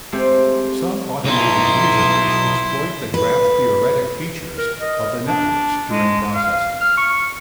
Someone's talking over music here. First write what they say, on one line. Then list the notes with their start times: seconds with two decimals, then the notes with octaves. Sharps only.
Some automated reasoners exploit the graph-theoretic features of the networks during processing.
0.12 G#3 A3 C4 G4
1.24 B1 D#4 E4 C6
3.14 B4
4.57 A#4
4.80 D#5
5.27 D4
5.89 G#3
6.34 F5
6.81 F6
6.97 C#6